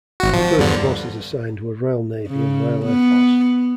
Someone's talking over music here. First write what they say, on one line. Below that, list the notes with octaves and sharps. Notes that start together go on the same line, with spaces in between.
The first forces assigned were Royal Navy and Royal Air Force.
G#1 F#4
F3
E2 G2 D3
C#3
B3